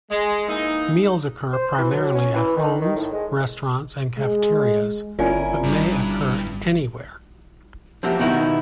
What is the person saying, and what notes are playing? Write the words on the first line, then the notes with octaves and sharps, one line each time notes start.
Meals occur primarily at homes, restaurants, and cafeterias, but may occur anywhere.
G#3
E3 A#3 D#4
C5
E3
F#3
C#4
E3
D#3
D#3
A2
G#3
G#3
G1 C#4 E4 F4 A#4 D5 G#5
G2
F3 A#3 C4 F#4 G4 E5
B2 D#3 B3 D#4 E4 F#4